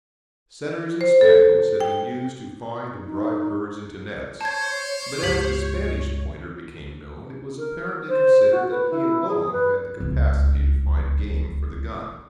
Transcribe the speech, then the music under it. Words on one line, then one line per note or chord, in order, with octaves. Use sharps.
Setters and Spaniels had been used to find and drive birds into nets, but as the Spanish Pointer became known it was apparently considered that he alone had the capacity to find game for the gun.
C5
A4
G5
D#4
C5 C#5 A5 G#6
C#2 G2 G4 B6 F#7
A#4
C5
F#4
B4
E4
G#4
B4
D1 C#2